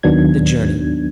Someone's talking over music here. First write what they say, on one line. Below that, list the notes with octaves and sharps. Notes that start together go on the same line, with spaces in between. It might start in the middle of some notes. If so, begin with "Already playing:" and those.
The Journey.
D#2 D#3 F#3 B3 D4 G#6